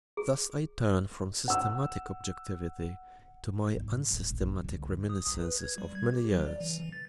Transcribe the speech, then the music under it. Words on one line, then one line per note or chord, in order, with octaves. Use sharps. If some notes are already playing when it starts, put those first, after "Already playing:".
Thus I turn from systematic objectivity to my unsystematic reminiscences of many years.
G#4
F#5 E6
G#2
D1 D2
A#1
D#2 C#3
C#2 D3
D#6
B1
B4
G#6
G3
G#6
G4
F#3
D5
E3
E3
A6